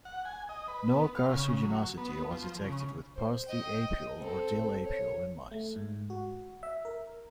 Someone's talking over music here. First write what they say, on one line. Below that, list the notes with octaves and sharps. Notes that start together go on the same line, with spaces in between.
No carcinogenicity was detected with parsley apiol or dill apiol in mice.
F#5
G#5
D#5
B4
B3
F5
C#3
F#3
B3
F3
C#3
C5
D#5 G5
C4 A4
C#5
A3
G#2
F#4
E5
A#4